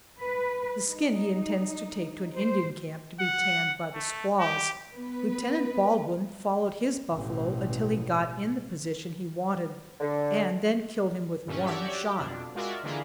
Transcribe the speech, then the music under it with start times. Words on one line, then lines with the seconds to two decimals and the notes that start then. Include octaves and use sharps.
The skin he intends to take to an Indian camp, to be tanned by the squaws. Lieutenant Baldwin followed his buffalo until he got in the position he wanted, and then killed him with one shot.
0.22 B4
0.89 D#4
2.36 C5
3.20 F#5
3.94 A3
4.39 G4
4.94 B3 B4
7.12 A1 B2
10.01 D3
11.47 G2 A#2 A3 C#4
11.65 F#4 G4 C#5 D5 E5
11.99 G4
12.18 F2 B2 D4
12.55 G#3 F4 F#4 A#4 D5 E5
12.83 D3 E3 G#3 A#3 E4 F4